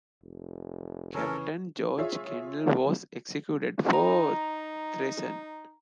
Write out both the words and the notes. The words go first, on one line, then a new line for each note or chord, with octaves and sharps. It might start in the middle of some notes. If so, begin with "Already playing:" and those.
Captain George Kendall was executed for treason.
F1
C#3 E3 C#4 A4 A#4 C#5
F4 G#4 C#5 E5
D#4 A#5